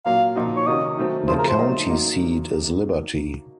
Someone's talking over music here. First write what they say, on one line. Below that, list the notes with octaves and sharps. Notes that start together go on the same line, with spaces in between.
The county seat is Liberty.
A#2 F#3 A#3 F5
A#2 F3 A#3 D#4 F#4
C#5
C3 D#3 A#3 C#4 F#4 D#5
D#3 F#3 A3 C4 F#4
C#3 F3 A3 C4 C5
A#4
C5
F#3 A3 D#4 F#4
F#3 A#3 D#4